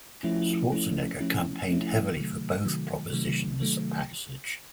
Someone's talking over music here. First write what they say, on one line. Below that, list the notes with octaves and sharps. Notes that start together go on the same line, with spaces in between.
Schwarzenegger campaigned heavily for both propositions' passage.
F3 A3 C#4 E4
F3 A3 C#4 E4
F3 A3 C#4 E4
F3 A3 C#4 E4
C3 D#3 F#3 A3
C3 D#3 F#3 A3
C3 D#3 F#3 A3
C3 D#3 F#3 A3